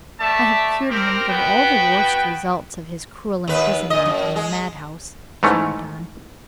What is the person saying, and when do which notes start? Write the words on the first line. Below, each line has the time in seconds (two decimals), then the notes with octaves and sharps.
"I have cured him of all the worst results of his cruel imprisonment in the mad-house," she went on.
0.20 A3 D5 E5 A5
0.90 C4 G4 A#4
1.29 B3 F#4 B4 G5
3.48 D#2 B4
3.90 A#2 D#5
4.06 F#2
4.36 G#3
5.43 G#2 E3 A3 C#4